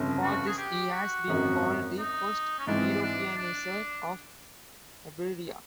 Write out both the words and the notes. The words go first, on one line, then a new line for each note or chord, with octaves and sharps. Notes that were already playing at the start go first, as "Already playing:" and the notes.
For this he has been called the first Europeaniser of Iberia.
Already playing: G1 F2 C#3
F#4
G#4
G4
F#4
G#1 F#2 D#3 F#3
D#4
C#4
G#2 E3 G#3 C4 D4
D4
D4